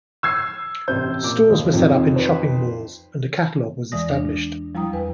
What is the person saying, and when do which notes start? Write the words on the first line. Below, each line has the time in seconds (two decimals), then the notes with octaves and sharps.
Stores were set up in shopping malls and a catalog was established.
0.23 E6 G#6 C7
0.88 A1 C3 C5 G6
1.23 A#2 D6
1.50 D#2 F3 G#3
1.73 F2 D#4
2.16 B4 C5
3.92 E2 E3 G#3 D5 D#6 A#6
4.10 D4
4.75 F3 G3 E4 G5 A#5 D#6
4.93 E2 B4 G#5